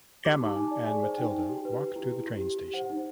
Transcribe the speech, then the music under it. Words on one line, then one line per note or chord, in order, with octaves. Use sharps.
Emma and Mathilde walk to the train station.
G4 D6
D#4
A5
D#4 G#5
D5
G#4 G#5
C5
D#4 G5
D#4
G4
B4
G4
E4
G4
G4
G4
G4
C5 F#5
D#4